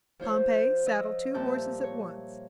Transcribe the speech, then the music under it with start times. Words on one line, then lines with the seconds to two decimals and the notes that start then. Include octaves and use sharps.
Pompey, saddle two horses at once.
0.20 F3 F4 C5 C#5
0.86 F3 F4 D#5 E6
1.34 A#2 F3 G3 E5 A5 G6
1.84 C#5